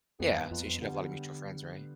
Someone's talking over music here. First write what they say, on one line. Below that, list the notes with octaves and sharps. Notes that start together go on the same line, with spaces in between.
Yeah. So you should have a lot of mutual friends, right?
F2 B3
G2
F2 F4
F2
D3 G3